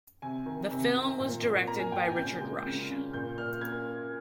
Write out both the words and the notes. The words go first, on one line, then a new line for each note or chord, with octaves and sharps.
The film was directed by Richard Rush.
C3 G#5
D#3
C3
D#3
A#2
A#2
A#3 A#5
G#5
A#2 G5
G#5
C#3 G6
G#3
C#3
C#3
A#2 G6
A#2 F6
A#3 G#6